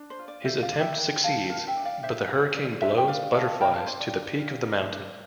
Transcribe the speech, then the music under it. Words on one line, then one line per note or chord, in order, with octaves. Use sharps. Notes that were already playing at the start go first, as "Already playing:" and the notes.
His attempt succeeds, but the hurricane blows butterflies to the peak of the mountain.
Already playing: D4
C5
F4
D5
A4 C5 E5
D5 F5
D4
E5 G5
D4 G5 A#5
G4 F5 A5
A#4 F5 A5
E5 G5
D4
D5 F5
D4 C5 E5
G4
A#4 D5
D4 C5 E5
G5
D4 D5 F5
F4 F5 A5
A#4 G5 A#5
F5 A5
D4 C5
D5
D4
F4
A#4
D4